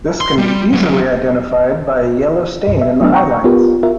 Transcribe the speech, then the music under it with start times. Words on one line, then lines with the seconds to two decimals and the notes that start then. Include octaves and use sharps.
This can be easily identified by a yellow stain in the highlights.
0.21 C6
0.38 G3
0.73 D3 F#3
2.67 C2 G2
2.81 E5
3.01 F#3 A3 B3 D4
3.13 F#5 G5 A#5 C#6
3.44 B3 F4 G4 A#4
3.83 F4 A#4 E5